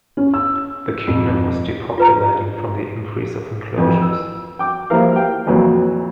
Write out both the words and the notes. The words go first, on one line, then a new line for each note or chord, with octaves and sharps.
The kingdom was depopulating from the increase of enclosures.
C#4
E6
F2
F4 B4 A#5
F2 E3
E6
G5 D6
F3 G3 A#3 E4 A#4 F5
F5 G5
F2 A#2 E3 F#3